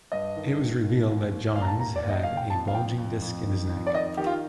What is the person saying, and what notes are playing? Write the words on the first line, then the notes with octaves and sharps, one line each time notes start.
It was revealed that Johns had a bulging disc in his neck.
G2 D#5
D#3
D#3
D#2
D#2
D#2
D#2 F5
A#5
A5
D#2 A#5
D5
D#2
D#5
D#2 F5
G5
F2 A5
F5
F2 G5
F2
F2
D#3
F2
D5
D#3 D#5
D#3 G4
F4